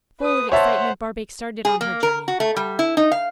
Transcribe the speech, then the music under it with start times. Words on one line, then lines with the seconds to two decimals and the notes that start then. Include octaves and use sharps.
Full of excitement, Barbaik started on her journey.
0.21 B4 D#6
0.52 C5 C#5 E5 F#5 A5
1.65 G#4
1.81 A#3
2.03 A#4
2.28 F#4
2.40 A3
2.56 G3
2.79 E4
2.97 D#4
3.11 F5